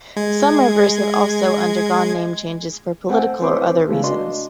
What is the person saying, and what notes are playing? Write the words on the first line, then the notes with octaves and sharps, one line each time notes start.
Some rivers have also undergone name changes for political or other reasons.
G#3 G#6
A3 C4 F#5 G#5
C4 E4 B4 C#5 C6 D6
C#3 G#3 A3
D4 F#4 D#5 C6